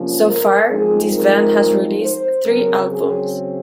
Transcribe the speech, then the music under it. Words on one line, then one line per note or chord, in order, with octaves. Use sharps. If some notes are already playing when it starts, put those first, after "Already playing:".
So far, this band has released three albums.
Already playing: C3 F3 A#3 C#4
A#4
F3 G#3 C4 D#4 G#4
A#4
C5
C#3 F#3 C4 A#4
G#4